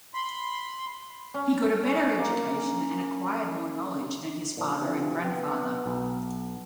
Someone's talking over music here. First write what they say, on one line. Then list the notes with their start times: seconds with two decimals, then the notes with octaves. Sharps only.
He got a better education and acquired more knowledge than his father and grandfather.
0.14 B5 C6
1.34 C#4
1.83 C#4
2.19 A#3
4.57 A#2 F3 D4
4.81 C3 E3 F3
5.24 B3 G5
5.86 B1